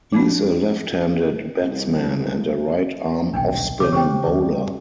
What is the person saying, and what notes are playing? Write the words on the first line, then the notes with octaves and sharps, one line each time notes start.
He is a left-handed batsman and a right-arm offspin bowler.
F3 C4 D4
C2
D#1 B1 D4 D#4 G5
D2 C3 C#5 D6
C#3 G#3 C4 G4 C5 G5
D#2
G3